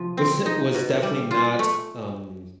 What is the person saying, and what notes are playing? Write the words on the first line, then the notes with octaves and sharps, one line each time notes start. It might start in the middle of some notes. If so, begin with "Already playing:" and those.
was was definitely not, um,
Already playing: C3 F3
C4
D#4
B2
G3
F4
A3